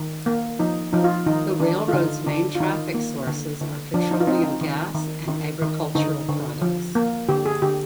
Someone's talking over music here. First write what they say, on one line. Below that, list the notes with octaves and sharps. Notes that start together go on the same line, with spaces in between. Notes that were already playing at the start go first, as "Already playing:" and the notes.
The railroad's main traffic sources are petroleum gas and agricultural products.
Already playing: D#3
A#3
F3 D#4
F3 D#4
F4
D#3 D#4
D#3 D4
F4
D3 D#4
D3 D4
F4
D#3 D#4
A#3
D3
D3
F3 D4
D#4
F4
C4 D#4
D#4
D#3
D#3
D#3
D#3
D3 D#4
D3
F3
A#3
D3 G4
G#4
D3 G4